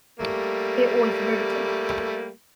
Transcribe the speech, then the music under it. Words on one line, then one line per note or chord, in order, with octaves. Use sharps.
It was riveting.
G3 A3 A#3